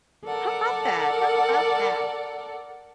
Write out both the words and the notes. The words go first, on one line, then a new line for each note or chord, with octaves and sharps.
How 'bout that? How 'bout that?
A4 A#4 D5 F#5